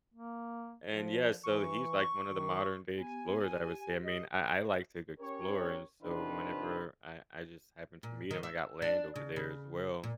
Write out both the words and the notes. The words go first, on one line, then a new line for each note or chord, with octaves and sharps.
And yeah. So he's, like, one of the modern-day explorers, I would say. I mean, I I like to g explore. And so whenever I I just happened to meet him. I got land over there as well.
A#3
F3
E3 C#6
D#3
B3 G4 G#5
G4
D#5
C#4 G4 A#4 C#5
C3 D#3 D4 F4 B4 C5
A#2
D#3
E5
D4
C#3
C#3
A#2